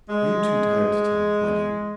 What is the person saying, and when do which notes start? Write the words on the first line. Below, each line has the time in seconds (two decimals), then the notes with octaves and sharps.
"Are you too tired to talk, my dear?"
0.09 G#3